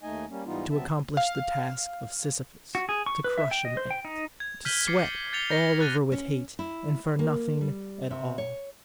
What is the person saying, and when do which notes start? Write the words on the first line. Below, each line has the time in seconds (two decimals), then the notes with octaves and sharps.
To accomplish the task of Sisyphus, to crush an ant; to sweat all over with hate, and for nothing at all.
0.03 D#2 A3 D#4 D#5 G#5
0.29 G3 A#3 C#4
0.46 G#2 E3 G3 B3 D#4 F4
0.71 D#2 F#3 B3 C4 E5 A5
1.17 F5
2.75 F#4
2.89 G#4
3.06 C#6
3.24 B4
3.38 E5
3.51 G5
3.65 D#5
3.77 C5
3.91 G5
4.05 D#4
4.40 G#6
4.65 F6 G6 B6 D#7 F#7 G7
4.87 D6 A6 C7 C#7
5.33 G6 A6 C#7 F7 G7
5.50 G6 A6 A#6 C#7 G7
5.79 F6 F#6 A6 D#7 G7
6.12 C#4
6.59 E4
7.19 A#3
7.61 G3
8.11 C3
8.38 C#5